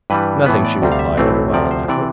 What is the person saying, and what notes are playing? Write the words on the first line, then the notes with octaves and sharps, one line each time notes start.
"Nothing," she replied with a violent effort.
G2 E3 G3 B4
A2 E3 B3 B4
D5
D2 C3 G3
F5
E5
B1 A2 E3 A3 C4
D2 C3 F3 D5
C5
C3 E3 D5